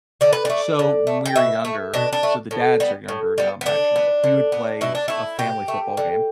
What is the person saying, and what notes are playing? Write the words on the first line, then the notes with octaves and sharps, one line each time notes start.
So when we were younger so the dads are younger now, imagine, we would play a family football game
D3 D5
B4
A3 D5
D3
A3
G5
B2 E5
A3
B2 D4
D4
A3
A2
G3 B3
A2
G3 B3
B3
D3 D4
B3
D3
B3
B2 E4
D4
A3 E4
B2 G4
A3
D3